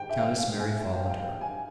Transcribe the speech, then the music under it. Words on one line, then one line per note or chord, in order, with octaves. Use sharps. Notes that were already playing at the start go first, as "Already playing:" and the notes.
Countess Mary followed her.
Already playing: G#2 G5
E5
F5
F5
G#5
G5
F5
G5
F5
G#5